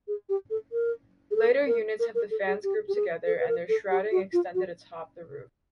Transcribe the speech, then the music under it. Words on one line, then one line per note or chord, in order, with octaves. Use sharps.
Later units have the fans grouped together, and their shrouding extended atop the roof.
G#4
G4
A4
A#4
G#4
A4
A#4
A#4
A#4
A4
G#4
G4
G4
G#4
A4
B4
A#4
A4
G4
F#4
F4
F#4